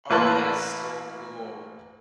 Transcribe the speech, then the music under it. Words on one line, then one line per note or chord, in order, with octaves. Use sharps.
Oh, that is so cool.
A1 A#3 E4 B4 A5 C6